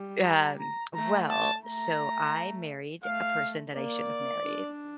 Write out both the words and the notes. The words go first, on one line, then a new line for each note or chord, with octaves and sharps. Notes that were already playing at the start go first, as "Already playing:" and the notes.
Um, well, so I married a person that I shouldn't have married.
Already playing: G3
A#5
A#5
A3 A#5
A5
A3 A#5
A3 F5
A#3 D5
D4